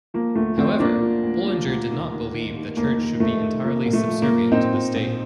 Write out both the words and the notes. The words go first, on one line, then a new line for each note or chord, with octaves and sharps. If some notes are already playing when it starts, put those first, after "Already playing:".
However, Bullinger did not believe the church should be entirely subservient to the state.
F3 A#3
D2 A3
D2 A3 C4
F3 A#3 D4
F3
D2
F3
D2
D#2
D#2
D#3
D#2
F1 A#3
D#3
F1 A3
D#3
F3 A#3
A#2
A3
F3
A#3
F3
A#2 C4 D#4
A#2
A#1